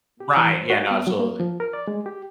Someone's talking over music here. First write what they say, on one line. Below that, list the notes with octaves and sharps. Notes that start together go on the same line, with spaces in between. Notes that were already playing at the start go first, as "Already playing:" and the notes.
Right, yeah, no, absolutely.
G4
E3
C5
F#4
B3
F#3
A#3
F3
A#4
D5
G#3
G4